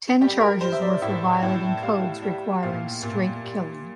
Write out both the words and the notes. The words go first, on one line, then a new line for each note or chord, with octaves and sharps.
Ten charges were for violating codes requiring straight killing.
G3 G4
A#4
G3 C5
E5
D5
A2 E5
A2
G3 F5
G3
A#2 F5
A#2
G3